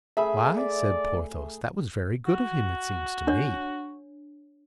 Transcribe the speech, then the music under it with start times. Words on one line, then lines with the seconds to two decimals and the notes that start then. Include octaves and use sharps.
"Why," said Porthos, "that was very good of him, it seems to me."
0.17 A3 G#4 E5 B5
0.58 D5
2.26 F#4
3.27 D4 C#5